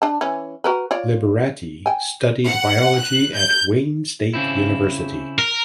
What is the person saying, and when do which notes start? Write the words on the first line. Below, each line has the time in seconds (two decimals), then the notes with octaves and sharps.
Liberati studied biology at Wayne State University.
0.02 D4 A5
0.21 E3 C#4
0.64 F#4 A#4 B4
0.91 F4 C#5 D5
1.86 G5 G#5
2.47 F#5
2.98 F#6
3.34 G6
4.34 C#3 C4 E4
5.38 A#4